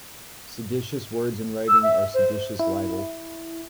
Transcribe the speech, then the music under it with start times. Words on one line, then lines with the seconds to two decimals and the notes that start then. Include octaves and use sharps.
Seditious words in writing are seditious libel.
1.68 E6
1.83 E5
2.14 C5
2.59 E4